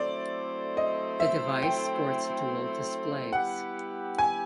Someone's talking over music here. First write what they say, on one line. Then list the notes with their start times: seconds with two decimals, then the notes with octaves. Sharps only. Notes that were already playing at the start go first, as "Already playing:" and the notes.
The device sports dual displays.
Already playing: F#3 A3 C4 E4 A4 D5
0.77 D#5
1.20 E5
1.62 G5
3.33 G3 B3 E4 G4 F#5
4.18 G#5